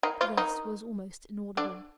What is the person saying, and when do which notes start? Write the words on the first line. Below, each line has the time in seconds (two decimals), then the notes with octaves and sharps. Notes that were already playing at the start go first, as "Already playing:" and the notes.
The rest was almost inaudible.
0.03 D#3 D#4
0.21 F3 F4
0.37 D#3 D#4
1.57 D3 D4